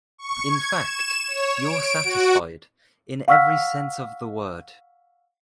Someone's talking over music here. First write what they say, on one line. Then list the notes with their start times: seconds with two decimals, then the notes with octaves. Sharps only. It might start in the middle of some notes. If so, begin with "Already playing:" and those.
In fact, you’re satisfied, in every sense of the word.
0.18 C#6
0.47 G#6
0.78 E7
1.28 C#5
1.60 D7
2.04 F#4
3.28 F5 F#5 C#6 E6 F6 B6